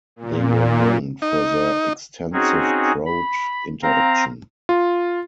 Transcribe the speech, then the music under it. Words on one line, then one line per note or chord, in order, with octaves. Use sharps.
They were known for their extensive crowd interaction.
A#2
D#4
C4 C#4 D#4 F#4 G#4
B5
C4 F5 A#5
F4